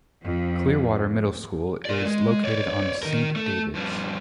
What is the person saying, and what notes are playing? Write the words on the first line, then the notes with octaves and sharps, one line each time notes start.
Clearwater Middle School is located on Saint David's.
F2
A#4 D5
G#3
C#5 D5
D#3 A#4
A3
G2 F3